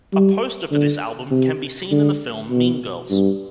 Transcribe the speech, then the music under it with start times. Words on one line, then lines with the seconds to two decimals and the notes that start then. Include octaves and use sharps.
A poster for this album can be seen in the film, "Mean Girls".
0.13 G3
0.71 D3
1.31 C3
1.91 D3
2.51 B2
3.10 G2